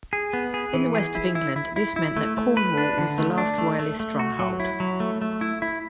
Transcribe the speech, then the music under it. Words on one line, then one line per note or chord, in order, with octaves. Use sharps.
In the West of England this meant that Cornwall was the last Royalist stronghold.
G#4
B3
G#4
E3
G#4
E4
E4
E4
E4
E4
A3
A3
B4
D4
D3
A3
D4
A3
A3
A3
F#4
F#3
E4
F#3
A3
A3
E4
E4